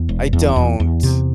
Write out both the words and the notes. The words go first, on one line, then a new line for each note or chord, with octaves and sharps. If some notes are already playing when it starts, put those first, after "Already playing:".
I don't.
Already playing: E2
E1
E2
E2
E2
C3